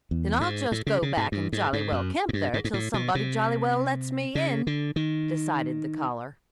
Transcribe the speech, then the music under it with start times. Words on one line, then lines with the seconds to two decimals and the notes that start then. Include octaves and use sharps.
"Then I'll just go back and jolly well camp there till somebody jolly well lets me in," decided the caller.
0.11 E2
0.41 G#2
0.72 A2
0.87 C#3
1.02 C#3
1.17 G#2
1.32 G2
1.53 G#2
1.73 G#2
1.92 F#2
2.29 G#2
2.33 G2
2.54 G#2
2.64 G#2
2.74 A2
2.94 B2
3.15 C3
4.35 C#3
4.67 D3
4.96 D#3